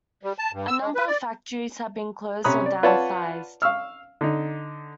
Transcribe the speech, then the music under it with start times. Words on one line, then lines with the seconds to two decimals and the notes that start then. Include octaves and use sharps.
A number of factories have been closed or downsized.
0.23 G3
0.38 A5
0.52 G2
0.68 E6
0.81 G#3
0.95 B4
1.07 D5
2.44 C3 C#4 A#5 B5 D#6 F#6
2.66 D5
2.83 F4 B4 C#5 D5 F#5 A5
3.62 F5 C#6 E6 F6
4.21 D3 D#4